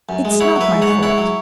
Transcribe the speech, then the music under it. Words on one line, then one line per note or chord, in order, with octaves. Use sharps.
It's not my fault.
F#2
G#3
E4 C#5 F#5
F#3 B4 E5
G#2
C#5 F#5
G#2
E4 C#5 F#5
F#3